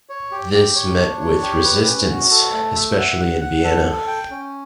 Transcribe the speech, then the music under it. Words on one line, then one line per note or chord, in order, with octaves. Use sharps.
This met with resistance, especially in Vienna.
C#5
G4
G4
C#5
D4
C#5
G4
B4
C#4
F#4
A4
A3
E5
F#5
F#5
F#5
A4
A4
G5
C#4